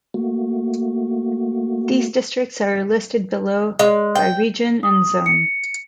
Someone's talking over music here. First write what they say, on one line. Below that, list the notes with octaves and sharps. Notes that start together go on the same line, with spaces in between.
These districts are listed below, by region and zone.
A3 A#3 F#4
G#3
G5
D#6
C#7